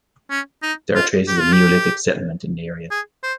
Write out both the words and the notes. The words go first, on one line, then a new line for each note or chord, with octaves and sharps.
There are traces of Neolithic settlement in the area.
C#4
D#4
F4
G4
F4
G4
G#4
C5